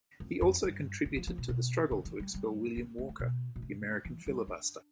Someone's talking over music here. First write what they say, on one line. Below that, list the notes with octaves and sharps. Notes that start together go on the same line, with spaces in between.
He also contributed to the struggle to expel William Walker, the American filibuster.
F2
F2
G2
D3
F3
F3
B2
B2
D3
E3
G3
G3
C4
A3
F3
B2
B2
C3
E3
G3
D4